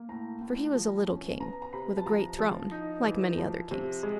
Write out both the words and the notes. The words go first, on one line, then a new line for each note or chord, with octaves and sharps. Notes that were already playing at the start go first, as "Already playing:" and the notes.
For he was a little king with a great throne, like many other kings.
Already playing: A#3
A2 A#5
A2
F3
C#4
B3 A#5
A#5
C3 B5
A5
F3 A#5
F3
D#4
E3
F3
C3
G#3